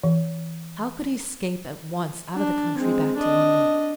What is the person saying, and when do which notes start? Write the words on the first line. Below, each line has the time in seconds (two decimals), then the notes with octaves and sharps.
How could he escape at once out of the country,--back to London?
0.04 E3
2.36 D4
2.78 G#3 C4
3.17 D4 D#5